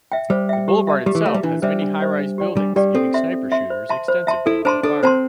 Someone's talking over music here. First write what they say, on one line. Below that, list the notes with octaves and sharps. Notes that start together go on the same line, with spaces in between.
The boulevard itself has many high-rise buildings giving sniper shooters extensive fields of fire.
E5 G5
G3 C5
E5 G5
G4
E5 A5
G3 G4
E3
A3 E5 A5
G3
E3 D4
G3 C5 E5
D4
C5 E5
D4
G4 D5 G5
G3 D4
G3 G4 D5 G5
C4 A4
E5 C6
A4
E5 C6
C5
E5 A5 C6
C5
E5 A5 C6
E4 A4
D4 C5 A5 C6
D4 A4
C4 C5 A5 C6